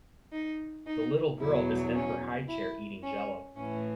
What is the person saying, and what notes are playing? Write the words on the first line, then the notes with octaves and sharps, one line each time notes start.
The little girl is in her highchair eating jello.
D#4
D#4
E2 B2 F#3 E4
C#4
E4
C#4
A2 E3 C#4